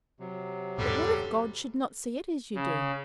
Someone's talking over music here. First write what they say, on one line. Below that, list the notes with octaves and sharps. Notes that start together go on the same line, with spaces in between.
"But what if God should not see it as you do?"
C3 F#3
E2 G#2 B2 D3 G3 A4
C#3